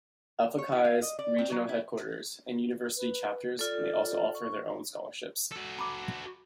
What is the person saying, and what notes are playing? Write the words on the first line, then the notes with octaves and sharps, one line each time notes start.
Alpha Chi's regional headquarters and university chapters may also offer their own scholarships.
C#5
E4
F5
D#5
D5
C4
F#3
E4
B4
F4 A4 D5
C#6
F#4 A4
A#5 B5 D6